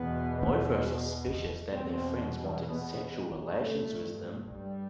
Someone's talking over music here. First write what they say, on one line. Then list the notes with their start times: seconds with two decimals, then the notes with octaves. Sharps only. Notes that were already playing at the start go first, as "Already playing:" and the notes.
Both were suspicious that their friends wanted sexual relations with them.
Already playing: E2 B2 B3
1.74 E2 B2 C4
2.66 B3
3.59 G2 A3
4.51 G3